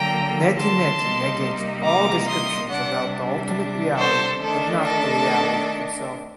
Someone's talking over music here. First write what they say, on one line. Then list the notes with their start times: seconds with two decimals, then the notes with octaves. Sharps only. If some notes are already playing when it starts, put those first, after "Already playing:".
Neti neti negates all descriptions about the Ultimate Reality but not the Reality itself.
Already playing: D3 F#3 A#3 G5 A#5
0.56 A5 C6
0.99 C3 G3 A#3 D#4
1.84 A#5 D6
2.26 C6 D#6
2.69 C3 G3 D4 D5 F#5
3.97 A4 C5
4.40 D#3 A3 D4 A4
4.82 A4